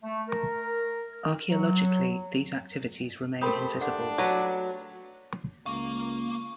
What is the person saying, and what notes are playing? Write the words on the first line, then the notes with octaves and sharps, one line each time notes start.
Archeologically these activities remain invisible.
A3
A#4
F#3
A3 G4 A#4 C5 B5 D#6
D4 F#5
F#3 B4 C#5
C#2 A#3 F5 C#6